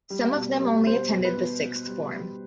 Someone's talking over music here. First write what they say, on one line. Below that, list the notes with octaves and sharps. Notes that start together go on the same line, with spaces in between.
Some of them only attended the sixth form.
G3
B2
G3
B2 C5
B2
B4
B2
B2
G3
G3